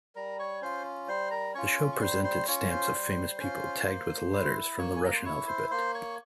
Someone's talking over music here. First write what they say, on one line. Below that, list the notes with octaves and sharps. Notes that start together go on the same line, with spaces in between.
The show presented stamps of famous people tagged with letters from the Russian alphabet.
G3 A#4 A#5
C#5 C#6
C#4 F4 C5 C6
G3 C5 C6
A#4 A#5
C#4 F4 C#5 C#6
C#6
G3 C5 C6
C5 C6
C#4 F4 C#5 C#6
C5 C6
G3
C#4 F4
A#3
E4
A#3 C#5 C#6
G#5
A#5
C6
E4 C#5 C#6
C5 C6
A#3 C5 C6
C#5 C#6